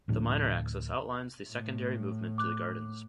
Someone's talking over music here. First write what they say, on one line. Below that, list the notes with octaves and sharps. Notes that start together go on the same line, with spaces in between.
The minor axis outlines the secondary movement to the gardens.
D2 A2 F3 D4
A2
D6 F#6